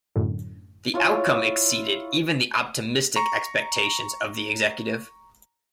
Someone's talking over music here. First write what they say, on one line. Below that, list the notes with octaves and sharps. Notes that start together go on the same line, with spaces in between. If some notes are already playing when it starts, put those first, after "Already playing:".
The outcome exceeded even the optimistic expectations of the executive.
F#2 A2 D3
E4 F4 C#5
A#5 C#6